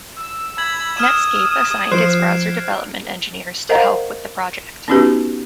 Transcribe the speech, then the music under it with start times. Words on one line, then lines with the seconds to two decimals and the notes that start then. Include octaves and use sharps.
Netscape assigned its browser development engineers to help with the project.
0.16 E6
0.58 B5 G#6 F#7
0.97 D#6 F6 G#6 E7
1.92 F3 C5 F#6 C7 D7
3.69 A#4 C5 D#5 F5 F#5 A#5
4.88 B3 C#4 D#4 F#4 G4 B4